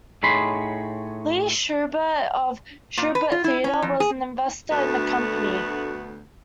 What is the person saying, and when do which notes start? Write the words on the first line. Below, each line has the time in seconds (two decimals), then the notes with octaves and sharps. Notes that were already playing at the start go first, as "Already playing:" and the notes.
Lee Shubert of Shubert Theater was an investor in the company.
0.23 A2 D#4 G#4 C#5 B5 C6
2.98 A#2
3.15 B4
3.32 F4
3.44 E4
3.64 C#4
3.82 F2
4.00 G#4
4.71 D2 A3 B3 D4 F#4